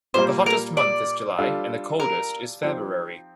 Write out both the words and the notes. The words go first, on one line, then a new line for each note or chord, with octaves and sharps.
The hottest month is July and the coldest is February.
A#2 G3 A#3 C5
A#4
D5
G3 D4 F4 A4
A#4
F3 C4 D#4 G4